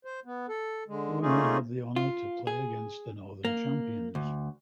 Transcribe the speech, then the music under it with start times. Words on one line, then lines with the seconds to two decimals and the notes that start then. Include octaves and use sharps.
The winner had the honor to play against the Northern Champions.
0.05 C5
0.25 B3
0.49 A4
0.88 D3 G#3
1.22 A3 A#3 C#4 D#4 F4 G#4
1.96 F4
2.47 G#4
3.45 A#3
4.15 D2